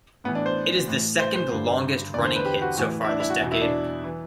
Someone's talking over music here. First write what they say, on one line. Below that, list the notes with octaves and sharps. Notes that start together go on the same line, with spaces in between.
It is the second longest running hit so far this decade.
A2 E3 B3
D4
C5
A2 E3
C5
C5
G2 D3
E2 D3 D5
C5
B4
G4
F#4
A2 E3 F#4
E4
D4
E4
F#4
E2 B2
E4
D4
E3